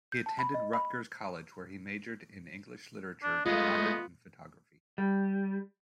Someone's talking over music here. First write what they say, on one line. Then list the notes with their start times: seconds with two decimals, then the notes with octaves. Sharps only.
He attended Rutgers College where he majored in English literature and minored in Photography.
0.12 G6
0.26 A5
0.39 B5
0.54 D#5
0.73 B5
3.23 D4
3.46 G#3 A3 B3 F4 D#5
4.98 G3